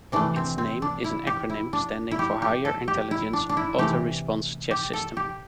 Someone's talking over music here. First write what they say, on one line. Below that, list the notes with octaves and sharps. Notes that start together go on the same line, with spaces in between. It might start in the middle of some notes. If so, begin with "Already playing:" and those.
Its name is an acronym standing for "higher intelligence auto-response chess system".
C3 E3 A3 D4
C4
C4
D4
E4
G4
E4
D4
E4
G4
G4
A4
G4
E4
D4
D4
E4
C3 E3 A3 G4
G4
A4
G4